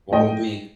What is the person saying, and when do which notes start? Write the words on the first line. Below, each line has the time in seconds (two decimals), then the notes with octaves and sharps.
What would it be?
0.11 A2 D#5 G5